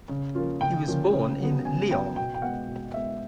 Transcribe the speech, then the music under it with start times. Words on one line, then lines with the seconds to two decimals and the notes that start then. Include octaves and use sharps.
He was born in Lyon.
0.09 C#3
0.35 F3 A#3 C#4 F4
0.61 C#3 G5
0.88 F3 A#3 C#4 F4
1.13 C#3
1.40 F#3 B3
1.65 C#3 G#5
1.90 F#3 B3 G5
2.16 B2 G5
2.34 G5
2.42 G#3 B3 F#5
2.68 B2
2.94 G#3 B3 E5